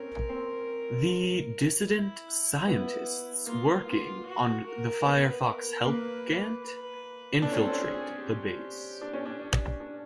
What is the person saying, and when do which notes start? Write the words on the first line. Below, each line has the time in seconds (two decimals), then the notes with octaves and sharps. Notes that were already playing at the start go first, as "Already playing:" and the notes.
The dissident scientists working on the Firefox help Gant infiltrate the base.
Already playing: C4 C#4 A#4
0.29 C4
1.88 E4
2.67 B3
3.46 A#3 F4
3.87 F4
4.26 F#4
4.66 A#4
5.05 B3 B4
5.45 A#4
5.84 A#3 B4
6.64 B4
7.42 D4 A4
7.52 C#4
7.62 C4
7.72 C#4
7.82 G#4
8.22 G4
9.01 D4
9.13 C#4
9.26 D4
9.80 D4